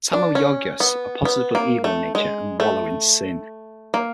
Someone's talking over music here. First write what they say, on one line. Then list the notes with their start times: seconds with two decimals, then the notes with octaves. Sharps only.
Tamo-yogyas are positively evil in nature and wallow in sin.
0.13 D4
0.35 C#4
0.80 B3
1.25 B3
1.55 A#3
1.84 A3
2.15 G#3
2.60 A3
3.94 A#3